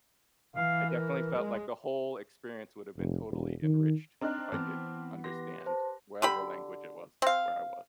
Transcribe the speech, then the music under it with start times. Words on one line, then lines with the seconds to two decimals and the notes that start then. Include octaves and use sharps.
I definitely felt like the whole experience would have been totally enriched if I could understand whatever language it was that where I was.
0.56 E3 F5
0.89 A#4
1.36 G#3
2.97 F1
3.31 E1
3.63 D#3
4.21 C4 D4 D#4 A#5 F6 F#6
4.52 E3 B3 C4 A5 D6 F6
5.24 G4 B4 C6 A#6
5.66 C5 A5
6.22 D3 G4 B5
7.22 C4 F5